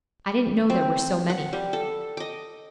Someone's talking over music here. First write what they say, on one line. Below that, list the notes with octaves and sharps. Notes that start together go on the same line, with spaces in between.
I didn't know there were so many.
C4
F#5
G3
A4
D#5 D6